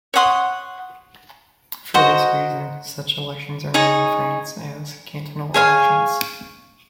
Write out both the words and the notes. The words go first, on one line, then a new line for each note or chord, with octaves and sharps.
For this reason, such elections are known in France as "cantonal elections".
C#5 F#5 C6 D#6
F#4 C5 D#5 A#5
D#4 G#4 C#5
G#4 C#5 F5 G#5